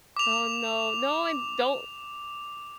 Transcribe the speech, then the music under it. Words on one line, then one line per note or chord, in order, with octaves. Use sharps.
Oh, no. No, and don't
D6 F7